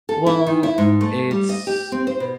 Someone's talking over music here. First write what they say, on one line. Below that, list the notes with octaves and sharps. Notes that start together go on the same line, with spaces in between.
Well, it's
A4
E4
D#3
E4
G#2
A3
G3
D#5
G4
C4
C5
B2